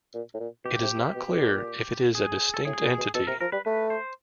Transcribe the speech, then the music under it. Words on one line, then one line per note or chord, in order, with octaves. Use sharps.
It is not clear if it is a distinct entity.
A#2
A2
A#2
B2 G4
C3
C3
B2
B2
A#2
G#4
A4
A2 G#4
A#2
B2
B2 A4
C3 A#4
F3 A#4
G3 B4
A3 B4
C5